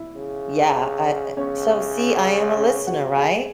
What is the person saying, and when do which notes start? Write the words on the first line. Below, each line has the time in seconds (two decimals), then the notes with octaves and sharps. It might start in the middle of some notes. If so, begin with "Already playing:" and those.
yeah, I, uh So see, I am a listener, right?
Already playing: E4 E5
0.16 C#3
1.37 C#3 C#4 C#5
2.57 C#4 C#5
2.87 F#4 F#5
3.16 G#4 G#5